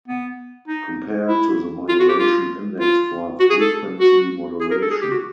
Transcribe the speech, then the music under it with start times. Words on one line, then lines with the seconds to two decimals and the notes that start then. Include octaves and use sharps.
Compare to the modulation index for frequency modulation.
0.08 B3
0.68 D#4
1.28 E4
1.89 F4
2.00 F#4
2.09 G4
2.19 F4
2.80 F4
3.40 F#4
3.50 G#4
3.60 A4
4.00 F#4
4.61 G#4
4.71 A#4
4.82 A4
4.91 G#4
5.02 G4
5.11 F#4